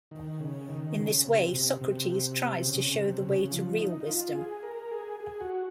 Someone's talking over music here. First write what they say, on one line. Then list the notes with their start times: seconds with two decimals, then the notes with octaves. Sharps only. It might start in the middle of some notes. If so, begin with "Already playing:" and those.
In this way Socrates tries to show the way to real wisdom.
0.11 D#3
0.40 C#3
0.69 D#3
0.96 C#3
1.25 C3
1.53 C3
1.81 C3
2.66 C#3
2.94 C3
3.23 C#3
3.51 F3
3.78 D#4
4.00 D#4
4.06 F4
4.35 G#4
4.63 A#4
4.91 G#4
5.20 G#4
5.40 F#4